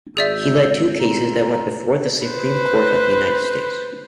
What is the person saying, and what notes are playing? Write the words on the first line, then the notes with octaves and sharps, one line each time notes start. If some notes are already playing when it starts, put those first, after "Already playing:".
He led two cases that went before the Supreme Court of the United States.
G#1 G#4 D5 E5 E6 G6
F4 A4 A#5
B4 C5